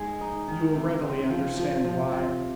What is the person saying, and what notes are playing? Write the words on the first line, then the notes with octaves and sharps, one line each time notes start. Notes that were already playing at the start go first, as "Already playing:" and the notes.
You will readily understand why.
Already playing: G#2 G#3
D#4
D#3
C3
C4
F3
F3
F3
C3